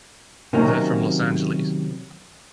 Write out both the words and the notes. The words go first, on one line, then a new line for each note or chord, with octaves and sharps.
They're from Los Angeles.
C3 D#3 F#3 A#3 C4 C#4